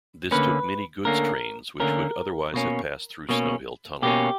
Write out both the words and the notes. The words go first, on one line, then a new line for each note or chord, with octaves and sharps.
This took many goods trains which would otherwise have passed through Snow Hill tunnel.
D2 D3 A#3 C#4 B4
D2 D3 A#3 C#4 A#4
D2 D3 A#3 C#4 A#4
B2 A#3 C#4
B2 A#3 C#4
B2 A#3 C#4 G4